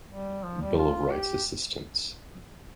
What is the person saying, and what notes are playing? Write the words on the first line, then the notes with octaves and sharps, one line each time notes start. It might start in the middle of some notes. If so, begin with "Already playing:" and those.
Bill of Rights assistance.
G3
F3
G3
F4
G4